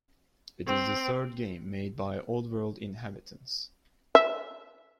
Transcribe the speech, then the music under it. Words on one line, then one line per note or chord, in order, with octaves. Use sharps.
It is the third game made by Oddworld Inhabitants.
C4
E5